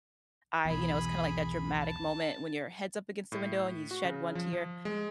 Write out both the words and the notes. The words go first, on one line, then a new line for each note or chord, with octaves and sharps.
I you know, it was kinda like that dramatic moment when your head's up against the window and you shed one tear,
B1 E2 G#4 B5
A5
A2
F#4
C#3
F3
F3
G#3